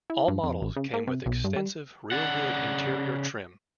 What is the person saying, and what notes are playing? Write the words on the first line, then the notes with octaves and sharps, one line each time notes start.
All models came with extensive, real wood interior trim.
E4
G2
F2
A1
C#3
A#3
C3
B1
G2
G3
C#3 D5 F#5